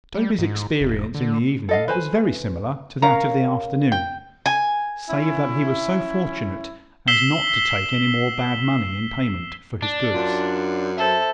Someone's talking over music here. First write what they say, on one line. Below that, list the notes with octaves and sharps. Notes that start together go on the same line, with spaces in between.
Toby's experience in the evening was very similar to that of the afternoon, save that he was so fortunate as not to take any more bad money in payment for his goods.
G3
G#2
E1
D3
A4 D#5 F5
B4 C5 G#5
C#4 A#4 F5 A#5
G5
G#5
C#4 E4
E6 B6 C7 E7 G7
D4
F#2 F4
A4 C5 E5